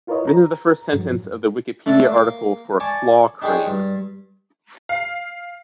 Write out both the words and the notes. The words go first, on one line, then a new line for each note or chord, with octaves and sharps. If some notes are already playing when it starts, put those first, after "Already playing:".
This is the first sentence of the Wikipedia article for “claw crane”.
E4 F4 A#4 B4 C#5 D#5
A#5
G2 F3 F#3
A3 D4 A4
A#3
D5 G#5 A5 C#6
D4 D#4 G4 G#4 C5 C#5
G2
F5